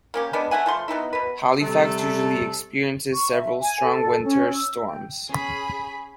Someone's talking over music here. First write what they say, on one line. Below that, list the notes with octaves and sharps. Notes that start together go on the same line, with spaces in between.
Halifax usually experiences several strong winter storms.
A#3 C#4 G4
G#3 B3 D4
A3 E5 F#5 G#5
F3 A3 C6
B3 C4 D#4 E4
B2 B4
C3 G3 A3 A4
C#6
E5
G#5
A4
C#4
E6
G5
C#4 G#4 B5